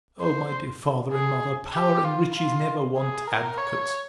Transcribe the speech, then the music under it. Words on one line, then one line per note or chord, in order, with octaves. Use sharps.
O my dear father and mother, power and riches never want advocates!
C5
G#4
G4
F4
F4
G#4
A#4
C#5